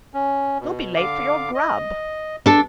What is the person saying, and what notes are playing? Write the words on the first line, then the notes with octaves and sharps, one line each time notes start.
You'll be late for your grub!'
C#4
B2
D3 F5 D6
D#5
D4 A4